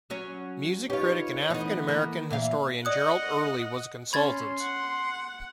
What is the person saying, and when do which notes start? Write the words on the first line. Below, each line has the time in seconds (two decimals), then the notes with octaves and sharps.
Music critic and African-American historian Gerald Early was a consultant.
0.10 F#3 C#4 C#5
0.90 D#4 F4 G4 B4 C#5
1.50 E3 A3 B3 C4 D#4
1.88 A#3
2.30 A#2 E3 F5
2.85 D5 D#5 F#5 D#6 F#6
4.13 C#4 B5 C6 G#6 A6
4.61 F#5